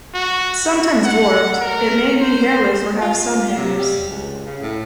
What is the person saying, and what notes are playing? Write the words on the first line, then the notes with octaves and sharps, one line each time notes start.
Sometimes dwarfed, it may be hairless or have some hairs.
F#4
F#4
F#5
A#4
C5
F4
C3
G3
C#2
C#3
A2